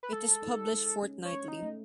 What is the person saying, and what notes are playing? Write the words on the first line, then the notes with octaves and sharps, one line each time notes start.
It is published fortnightly.
B4
G#3 A4
D#4
G#3
C#4
C#5
C#4
D#4
A3